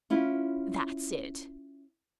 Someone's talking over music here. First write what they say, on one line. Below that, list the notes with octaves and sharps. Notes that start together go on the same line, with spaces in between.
"That's it."
C#4 E4 F4